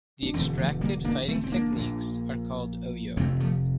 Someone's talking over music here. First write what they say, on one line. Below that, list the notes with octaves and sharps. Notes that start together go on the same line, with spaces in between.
The extracted fighting techniques are called "Oyo".
D4
E1 E2 D3 A3 C4
F3 A3
G3 A#3
A#3 D4
A3 C4
C4
A#3 D4
A#1 A#2
F1 F2 C3 A3 C4
F3 A3